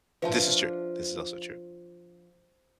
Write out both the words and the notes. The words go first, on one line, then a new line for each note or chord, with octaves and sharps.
This is true, this is also true.
F3 D4 F4 B4 E5 A5